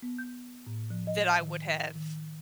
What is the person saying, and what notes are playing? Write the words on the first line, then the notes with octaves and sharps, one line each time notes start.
that I would have"
B3
G6
A2
F3
D#5
D#3
D#3